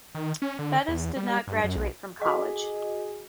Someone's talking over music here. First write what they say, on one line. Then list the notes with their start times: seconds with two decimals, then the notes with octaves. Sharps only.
Bettis did not graduate from college.
0.15 D#3
0.42 C#4
0.59 D3
0.88 E2
1.16 G3
1.48 G2
1.64 F#2
1.77 B1
2.22 F#4 G#4 D#5